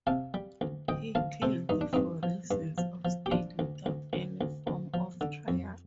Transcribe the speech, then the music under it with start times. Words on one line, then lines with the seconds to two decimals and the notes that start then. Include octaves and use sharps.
He killed for reasons of state without any form of trial.
0.07 C3 F5 A5
0.34 G3
0.61 D2
0.89 D2 D#5 G5
1.15 D2 F5 A5
1.42 C3 A4 C5
1.69 G2 D#4
1.81 D4
1.93 G2 C4 D#4
2.23 F3
2.51 G2
2.78 F3
3.05 F3
3.26 G4
3.31 F3 D4 F4
3.59 D2
3.86 D2
4.13 D2
4.41 D2
4.67 D2
4.94 F3
5.21 D3
5.48 F2